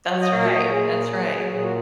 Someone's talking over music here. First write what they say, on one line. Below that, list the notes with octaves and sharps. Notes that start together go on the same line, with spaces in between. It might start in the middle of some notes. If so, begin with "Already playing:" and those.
That's right, that's right.
F#3 C#5
D#5
A#2 C#5
C#5
A#2 D#5
C#5
A#2 G#4
A#3
F#3
F#3
A#2 G#4
F#4